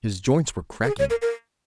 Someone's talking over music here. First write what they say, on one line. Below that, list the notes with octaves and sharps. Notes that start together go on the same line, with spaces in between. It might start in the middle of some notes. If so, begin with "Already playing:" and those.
His joints were cracking.
A#4
G#4
C#5
A#4
A#4